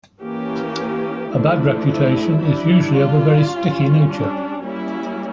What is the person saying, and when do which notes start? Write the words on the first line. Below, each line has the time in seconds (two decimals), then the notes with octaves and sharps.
A bad reputation is usually of a very sticky nature.
0.20 E3 A#3 C#4 G4
1.31 F3 A3 D4 E4
1.86 E4
2.41 G3 D4 E4
2.97 F4
3.52 G3 C#4
4.07 D4
4.63 G3 A#3 C#4 E4